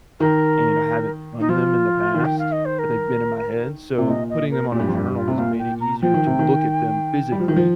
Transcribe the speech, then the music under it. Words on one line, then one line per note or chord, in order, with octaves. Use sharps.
and I haven't done them in the past, but they've been in my head. So putting them on a journal has made it easier to look at them physically
D#3 A#4
D#4
F3 F4
D#3
G5
F5
D#5
C5
A#4
C3
A#2 D#5
D#5
A#4
A#2 G4
G2
F2 F4
G2 G4
F4
C3
A#2 F5
G5
A#5
F3 G5
D#3
C3
D#3
G3
F3
D#3
F3